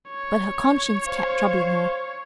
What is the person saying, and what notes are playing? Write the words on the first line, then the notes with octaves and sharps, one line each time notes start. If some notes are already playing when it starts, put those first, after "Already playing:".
But her conscience kept troubling her.
C#5
C5 F5